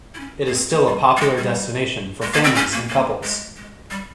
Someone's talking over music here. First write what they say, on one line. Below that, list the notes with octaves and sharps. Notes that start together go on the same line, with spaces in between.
It is still a popular destination for families and couples.
E4
C#4
A#3
C4
A#3
G3
G3
G#3
G3
G#3
A#3
C4
C#4
A#3
A#3
G#3
G#3
G3